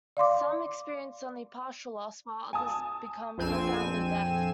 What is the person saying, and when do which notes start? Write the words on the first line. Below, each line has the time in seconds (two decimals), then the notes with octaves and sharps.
Some experience only partial loss, while others become profoundly deaf.
0.17 D5 F5 C6 D6
2.53 G#5 A5 D#6
3.38 A#1 F2 C4 G#5 E7